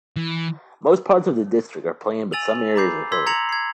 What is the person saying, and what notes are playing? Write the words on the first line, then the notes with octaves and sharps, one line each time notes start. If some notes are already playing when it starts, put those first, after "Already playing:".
Most parts of the district are plain but some areas are hilly.
E3
G#5 E6 A6 D#7 F7 F#7
A#5 B5 D6 G6 C7
C6 E6 G#6 B6
A#5 G#6 A#6 C#7 F7 F#7
G#6 C7